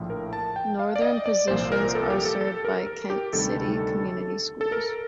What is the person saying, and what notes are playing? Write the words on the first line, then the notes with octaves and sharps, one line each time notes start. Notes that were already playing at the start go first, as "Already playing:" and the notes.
Northern portions are served by Kent City Community Schools.
Already playing: A#1 A2 F3
A#4
A5
G5
F5
D5
D#5
D5
C2 A#2 F3 C5
A#4
A4
G4
A4
A4
A#4
A#4
G4
D2 C3 D#3 G3 A4
A4
A#4